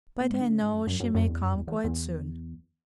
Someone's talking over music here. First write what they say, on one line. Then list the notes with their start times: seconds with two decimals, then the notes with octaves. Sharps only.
But I know she may come quite soon.
0.20 B2
0.30 G#2
0.40 D3
0.50 C#3
0.61 G#2
0.73 F#2
0.87 F#2
1.00 F#2
1.15 F#2
1.28 E2
1.41 F#2
1.54 E2
1.67 E2
1.84 E2